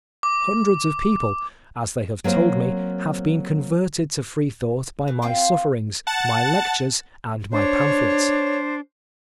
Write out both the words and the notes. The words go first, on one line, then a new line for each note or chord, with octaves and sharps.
Hundreds of people, as they have told me, have been converted to Freethought by my sufferings, my lectures, and my pamphlets.
D6
F#3 A#3 C4 C5
E3
C4 F4 F5 G5
F#5 A5 A6
D4 C5 C#5